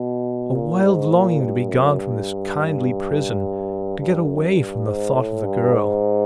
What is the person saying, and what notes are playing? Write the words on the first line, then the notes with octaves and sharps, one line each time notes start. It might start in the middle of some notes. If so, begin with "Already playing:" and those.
A wild longing to be gone from this kindly prison--to get away from the thought of the girl.
Already playing: B2
A#2
G#2
A#2
G2
F#2
G2
G2
F#2
G2
G#2
A2
G2
G#2